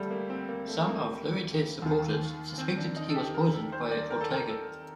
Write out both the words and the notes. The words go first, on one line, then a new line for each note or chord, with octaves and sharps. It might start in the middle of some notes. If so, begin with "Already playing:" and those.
Some of Lewites supporters suspected he was poisoned by Ortega.
Already playing: D2 G3 A3
A#3
C4
A#3
A3
A#3
D#2 D#3
C4
D4
D#4
A4
G4
A#4
A4
C5
D5
A#4
A4
A#4
A4